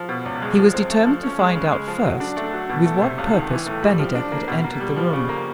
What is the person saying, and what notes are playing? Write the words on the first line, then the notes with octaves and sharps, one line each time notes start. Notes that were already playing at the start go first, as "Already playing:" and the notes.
He was determined to find out, first, with what purpose Bennydeck had entered the room.
Already playing: F3
B2
C#2
G#3
F3
C4
A3
F3
C#4
G#3
C#3
G#3
F3
F#3
D4
A3
F#3
B2
A3
C3
C#2
D#3
E3
A2
G3
F3
D4
A#3
B2
A#3
G3
F3
C#3
A#3